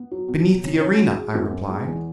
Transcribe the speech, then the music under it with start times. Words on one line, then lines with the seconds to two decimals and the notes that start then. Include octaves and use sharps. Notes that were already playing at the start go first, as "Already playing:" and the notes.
"Beneath the arena," I replied.
Already playing: B3
0.11 F#3
0.28 B2
0.46 F#3
0.63 C#3
0.81 C#4
0.99 F#4
1.15 G#4
1.34 F#2
1.51 B3
1.68 G#3
1.87 E2